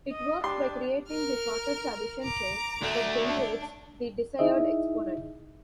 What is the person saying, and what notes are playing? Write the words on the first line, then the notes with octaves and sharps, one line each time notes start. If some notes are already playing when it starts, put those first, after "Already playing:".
It works by creating the shortest addition chain that generates the desired exponent.
D#5
D4 G4 C6
A#4 F6
A#5 D6
D2 A3
D4
D#4 E4 G#4 D#5 E5